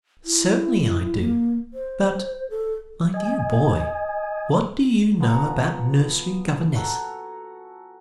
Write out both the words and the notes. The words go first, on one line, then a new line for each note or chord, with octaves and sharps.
"Certainly, I do; but, my dear boy, what do you know about nursery governesses?"
E4
A#3
C5
A4
D#5 G#5
F3 B3 F#4 A#5
F#4 A4 G#5 A#5